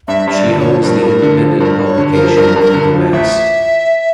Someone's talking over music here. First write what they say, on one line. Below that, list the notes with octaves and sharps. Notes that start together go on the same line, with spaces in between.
She owns the independent publication "The Mast".
G2 E5
G2
D5
D3
C#5
F3
G2 A#4
G2
D3
F3
G2 A#4
G2
C#5
D3
A#4
F3
G2 A#4
G2
A#4
D3
F3
A1 E5